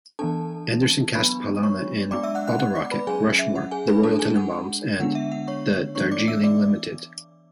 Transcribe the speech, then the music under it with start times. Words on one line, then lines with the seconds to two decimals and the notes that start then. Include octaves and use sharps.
Anderson cast Pallana in "Bottle Rocket", "Rushmore", "The Royal Tenenbaums", and "The Darjeeling Limited".
0.19 E3 B3 D4 A4 A5
1.15 F#3 B3 D4 B4 B5
1.63 C#5 C#6
2.11 G#3 B3 D4 D5 D6
2.23 E5 E6
2.35 F#5 F#6
2.47 F#5 F#6
2.59 F#5 F#6
2.75 D5 D6
2.91 B4 B5
3.07 F#3 C#4 G#4 G#5
3.39 E5
3.56 F#5
3.71 G#4 G#5
3.88 B4 B5
4.03 G#3 D4 A4 A5
4.19 G#4 G#5
4.36 F#5
4.99 D3 G#3 B3 D4 F#5
5.15 E5
5.32 F#5
5.48 C#5 C#6
5.95 E3 B3 D4 C#5 C#6
6.12 D5 D6
6.28 E5 E6
6.43 D5 D6